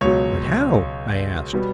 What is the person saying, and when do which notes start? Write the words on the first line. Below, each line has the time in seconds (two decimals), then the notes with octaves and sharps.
"But how?" I asked.
0.01 C#2 B2 F#3 C#5
1.53 B2 G3 B3